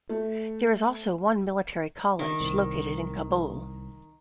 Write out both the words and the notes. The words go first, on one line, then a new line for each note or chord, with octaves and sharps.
There is also one military college, located in Kabul.
A3
D#3
C2